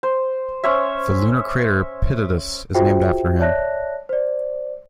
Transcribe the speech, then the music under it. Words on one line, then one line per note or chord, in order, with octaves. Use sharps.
The lunar crater Pitatus is named after him.
C5
C#4 C5 C#5 E5
F4 F#4 G#4 C5 E5 G5
C#5 D5 E5 A5 F#6 A#6
C5 D5